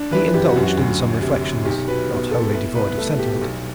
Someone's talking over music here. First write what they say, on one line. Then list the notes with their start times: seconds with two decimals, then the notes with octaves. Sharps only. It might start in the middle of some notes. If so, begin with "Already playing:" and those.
He indulged in some reflections--not wholly devoid of sentiment.
Already playing: D4
0.11 E3 B4
0.34 F#2 G4
0.49 F#4
0.56 F#2
0.63 F#4
0.77 D2
0.99 F#3
1.21 C3
1.44 C3
1.65 B1 G4
1.88 F#3 B4
2.10 B3
2.31 B3 A4
2.53 E4 B4
2.75 C2 B4
2.88 B4
2.97 A3 A4
3.19 B2 G4
3.41 B1